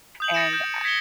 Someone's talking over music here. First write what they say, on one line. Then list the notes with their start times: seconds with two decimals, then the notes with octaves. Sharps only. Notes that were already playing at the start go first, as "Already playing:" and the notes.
and, uh
0.20 D#6 G6 F#7
0.34 D#6 A6 A#6 C#7 D7 E7
0.53 D#6 G6 E7
0.84 G#6 B6 C#7 E7 G7